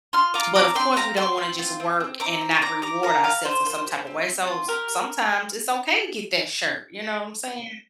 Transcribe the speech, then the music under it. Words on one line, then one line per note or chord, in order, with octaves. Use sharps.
but, of course, we don't wanna just work and not reward ourself in some type of way, so s sometimes it's okay to get that shirt, you know what I'm saying?
F4 C6 F6
F4 A#5 D6
C4 A#5 D6
C4 G5 C6
G4 F5 A#5
C4 G5 C6
C4
F4
C4
C4
C4 A#5 D6
C4
C4 A#5 D6
G4 A#5 D6
A#3 F5 A#5
G4 F5 A#5
F4 C5
A#3 C5
G4
C4
C4
F4
G4 A#4